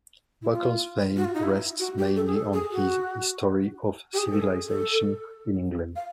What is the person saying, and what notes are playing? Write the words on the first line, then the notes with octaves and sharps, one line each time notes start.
Buckle's fame rests mainly on his "History of Civilization in England".
E4
F4
F#4
F4
D#4
E4
F#4
G4
A4
G#4
A4
G#4
F#4
G4
G#4
A4
G#4
A4
F5